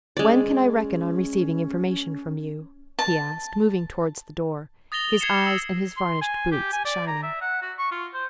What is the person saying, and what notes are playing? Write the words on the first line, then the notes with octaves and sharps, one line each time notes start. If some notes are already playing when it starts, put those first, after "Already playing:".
"When can I reckon on receiving information from you?" he asked, moving towards the door, his eyes and his varnished boots shining.
G#3 C#4 D5
C#4
A5
D#6 A6 A#6 F7 G7
G#6 C7 C#7 E7
E6
C6
G#5
G4
G#5
D5
A#5
E5
F#5
F#4
C#6
F4
C5